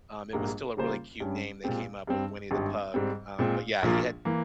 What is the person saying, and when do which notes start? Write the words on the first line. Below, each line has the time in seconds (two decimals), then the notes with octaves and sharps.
um, it was still a really cute name they came up with, Winnie the Pug, um, but, yeah, he had
0.33 A#1 G#2 G3 A#3
0.77 C#3 G3 A#3 F4 C5
1.20 G2 G3 C#4
1.64 A#2 G#3 C4 G4
2.07 G2 G3 C4
2.51 G#1 G2 G3
2.94 G#2 G3 C4
3.39 A#2 G#3 C4
3.82 A#1 A#2 F3 A#3
4.25 E3 A#3